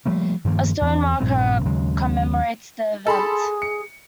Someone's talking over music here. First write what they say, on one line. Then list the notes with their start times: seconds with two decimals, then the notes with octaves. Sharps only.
A stone marker commemorates the event.
0.06 F3 G3 A3 A#3
0.45 G2 D#3 F3 A#3
0.81 E2 E3 A3 C4
1.20 A#1 G2 A#2 C4
1.65 D#2 C#3 F#3 G#3
3.07 G#4 A4 B5 C6
3.62 C#7